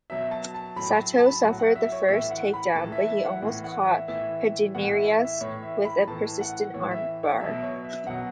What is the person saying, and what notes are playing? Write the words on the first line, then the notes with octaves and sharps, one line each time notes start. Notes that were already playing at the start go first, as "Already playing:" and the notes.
Sato suffered the first takedown, but he almost caught Pederneiras with a persistent armbar.
B2 F#3 E5
A5
A5
A2 F#3 B5
A5
A5
B5
A2 F#3 F#5
F#5
E5
C#5
A2 E3 E5
F#5
B5
A2 E3 A5
E5
E5
F#5
A2 E3
F#5
E5
A2 E3 E5
A2 E3 F#5
E5
E5
E5
A2 E3 C#5
E5
B5
A2 E3 A5
F#5
A2 E3 C#5
E5
C#5
B2 F#3 E5
E5
C#5
E5
B2 F#3 F#5